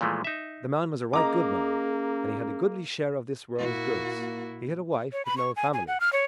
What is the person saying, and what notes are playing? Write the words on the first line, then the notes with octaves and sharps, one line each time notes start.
The man was a right good man, and he had a goodly share of this world's goods. He had a wife, but no family.
A#2 E3 F3 G#3 A3
D#4 E5
A#3 C#4 G#4 D#5 A#5 D6
A#2 A#3 E4 F#4
C#5
B5
C#6
G#5
G#5
F#5
F6
C#5